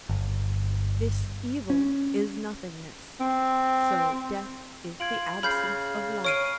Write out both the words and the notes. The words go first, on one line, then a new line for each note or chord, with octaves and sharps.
This evil is nothingness; so death is the absence of life.
G1
C#4
C4
F4 G#6 D7 F#7
C#3 B5 F6 G6 C7
C#5 C#6 F6 C7 D7 D#7